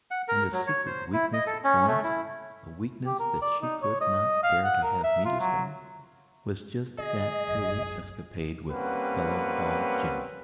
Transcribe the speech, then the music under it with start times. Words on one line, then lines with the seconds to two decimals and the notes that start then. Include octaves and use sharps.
And the secret weakness of Florence--the weakness that she could not bear to have me discover, was just that early escapade with the fellow called Jimmy.
0.11 F#5
0.28 A#4
0.53 F#3
0.67 C#5
0.87 C5
1.13 E4
1.33 D#5
1.47 A4
1.64 C#4
1.87 A3
2.04 E4
3.06 G4
3.19 A#4
3.42 D5
3.62 D#4
3.82 C#5
4.01 D#5
4.43 F5
4.64 F#5
4.83 A#4
5.03 E5
5.25 F4
5.40 F#3
6.98 D3 G#4 D#5
7.48 F#1 B1
8.71 G3 A#3 C4 C#4 B4 F#5